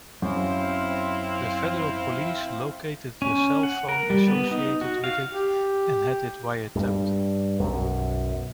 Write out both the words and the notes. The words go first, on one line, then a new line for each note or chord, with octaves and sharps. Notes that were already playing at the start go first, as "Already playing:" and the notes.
The Federal Police located the cell phone associated with it and had it wiretapped.
F#2 C4 E4 F5
C#4
F#5
A#4
G3
B3
D#4
F#4
F5
G4
G2
B1 F#2